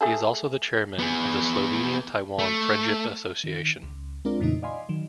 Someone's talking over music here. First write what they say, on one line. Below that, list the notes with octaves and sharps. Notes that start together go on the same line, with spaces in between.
He is also the chairman of the Slovenia-Taiwan Friendship Association.
A3 G#4 A4
B3 G#4
A3
D#3
C#2
G#3 C4 D4 F4 A#4 D5
F2 A#2 C#3 E3 A3 D#4
D5 D#5 F5 G#5 B5 C6
D#3 F#3